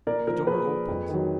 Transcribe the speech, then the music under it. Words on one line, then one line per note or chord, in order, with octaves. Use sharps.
The door opened.
A#2 A#4 D5
F3 A#4
A#2 G#4 B4
F3
F2
D#3 F#3